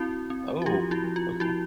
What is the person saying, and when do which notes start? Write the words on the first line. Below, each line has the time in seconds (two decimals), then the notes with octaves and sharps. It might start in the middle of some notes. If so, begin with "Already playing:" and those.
Oh, okay.
Already playing: C4 E4 F#4
0.30 C4
0.62 F#4
0.66 F3 F4 G4
0.91 E4 F#4
1.04 F3
1.16 F4
1.40 F3 E4 F#4